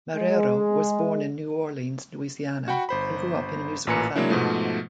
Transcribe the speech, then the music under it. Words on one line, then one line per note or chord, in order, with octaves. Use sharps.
Marrero was born in New Orleans, Louisiana and grew up in a musical family.
G#3
F#4 F#5 G5 B5
G1 C5 B5
A1 A#2 B4 G#5 A#5 C#7
F#3 G#3 A#3 D4 E4
G#2 B2 F3 A3